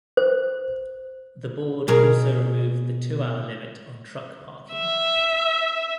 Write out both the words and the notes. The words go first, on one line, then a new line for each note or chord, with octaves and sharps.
The Board also removed the two-hour limit on truck parking.
C5
B2 G#4 A#4
E5